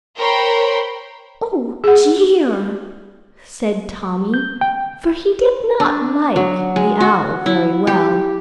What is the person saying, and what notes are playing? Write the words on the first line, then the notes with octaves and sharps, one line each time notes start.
"Oh, dear!" said Tommy, for he did not like the Owl very well.
A#4 C5 C#5 G5 B5 C6
G#4 F#5
G6
G5
D4
F#3
G#3
F#4
E4
G4